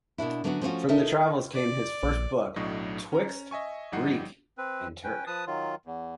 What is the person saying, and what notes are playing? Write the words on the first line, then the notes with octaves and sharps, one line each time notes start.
From the travels came his first book, "Twixt Greek and Turk".
B2 A#3 D4 E4
D3 F#3 B3 C#4 F4 F#4
F3 A3 C#4 D4 F4 F#4
D#4 A4 A#4 D#5 E5
D5
A#1
B1 A2 F#3 D4 D#5 C#6
C#4 A#5
D#5 E5 G#5 C#6
G1 F3 G3 D#4 F#5 C7
C4 B4
C#4 B4 G5
F3 B4 A5 D#6
D#3 F#3 F4
E2